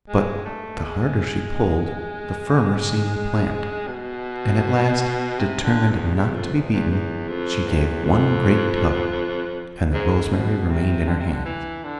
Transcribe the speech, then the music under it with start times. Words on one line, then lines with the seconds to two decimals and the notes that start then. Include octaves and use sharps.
But the harder she pulled the firmer seemed the plant, and at last, determined not to be beaten, she gave one great tug, and the rosemary remained in her hands.
0.08 G#3
0.45 A3
0.84 G#3
3.87 B2
5.39 C3
5.64 D3
5.90 E2
6.15 E2
6.34 F2
6.53 E2
6.72 E2
6.91 E2
7.28 F2
7.67 E2
8.05 F2
9.93 G#2
10.32 B2
10.71 C3
11.08 D3
11.20 C3
11.32 D3
11.45 E3
11.84 D3